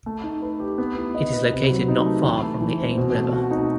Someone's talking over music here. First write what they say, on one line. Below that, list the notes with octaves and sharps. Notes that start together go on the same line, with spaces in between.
It is located not far from the Ain River.
A3
D#4
B4
G4
B3
E4
D#5
B4
C3
F#3
D#4
A3
E3
A3
E3
C4
B2
A3
F#4
D#4